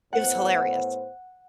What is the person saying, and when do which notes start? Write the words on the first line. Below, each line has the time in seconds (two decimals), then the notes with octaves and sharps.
It was hilarious.
0.13 A2 B3 C5 F#5